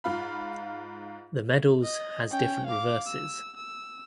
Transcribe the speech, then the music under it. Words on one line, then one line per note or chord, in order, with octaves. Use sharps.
The medals has different reverses.
G#2 F4 F5 B5
D#5
C#4 G5
F5 D6
E6
E6